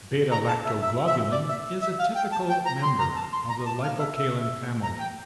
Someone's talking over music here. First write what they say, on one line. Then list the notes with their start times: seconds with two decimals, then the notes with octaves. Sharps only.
Beta-lactoglobulin is a typical member of the lipocalin family.
0.32 A#5
0.48 A5
0.65 E5
0.82 E5
1.07 E5
1.32 D5
1.49 E5
1.82 E5
1.99 F5
2.16 G5
2.32 A5
2.49 G5
2.66 A#5
2.83 C6
2.99 A#5
3.16 A5
3.33 C6
3.49 A#5
3.66 A5
3.83 F5
3.99 E5
4.16 E5
4.83 A#5
5.00 G5